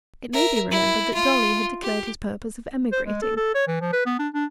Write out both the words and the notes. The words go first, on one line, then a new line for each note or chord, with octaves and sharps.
It may be remembered that Dolly had declared his purpose of emigrating.
A#4 E5
E4
F4
G4
C5
G#3
A4
A4
C#5
E3
F3
B4
B3
D4
D4